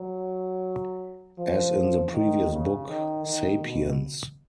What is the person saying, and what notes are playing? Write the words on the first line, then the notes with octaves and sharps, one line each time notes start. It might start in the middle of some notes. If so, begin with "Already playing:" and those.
As in the previous book, “Sapiens.
Already playing: F#3
F3
D#3
C#3
D#3
D#3
B2